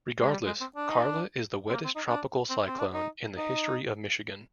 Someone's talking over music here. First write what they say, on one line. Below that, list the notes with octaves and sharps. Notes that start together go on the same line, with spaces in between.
Regardless, Carla is the wettest tropical cyclone in the history of Michigan.
G#3
G3
G#3
C4
D4
D#4
D4
C4
A#3
C4
D#4
D4
C4
C4
D4
D#4
D#4